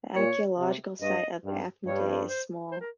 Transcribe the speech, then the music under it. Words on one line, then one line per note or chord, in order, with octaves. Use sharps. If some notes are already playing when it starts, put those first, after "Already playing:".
The archaeological site of Aphidnae is small.
A#2 C#5
C3
G2 D#5
G2
G2 C#5
C5
C5
A#4